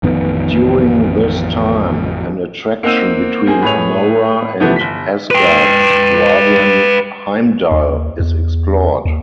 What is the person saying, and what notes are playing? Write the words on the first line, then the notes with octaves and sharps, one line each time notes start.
During this time, an attraction between Amora and Asgard's guardian Heimdall is explored.
A1 F2 D#3 B3
A#3 C4 D#4 F#5 E6 D#7
A#3 C4 G#4
A2 G#4 B4 C#5 F7
C3 E3 F3 A3 B3
G1 B6
B4 G5
D#2
E2
D#2